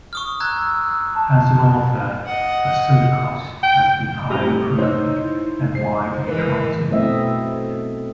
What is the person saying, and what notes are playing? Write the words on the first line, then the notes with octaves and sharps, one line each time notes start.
As an author, Vassilikos has been highly prolific and widely-translated.
C#6 D#6 F6
A#5 E6 F#6 G#6
A5
D#5 F#5
G5
G3 A3 C4 D#5 A#5
D#4 C5 C#5 D#5 E6
E4
C5 C7
E3 G#3 A#4 B4
B2 A3 C4 E4 D#5 E5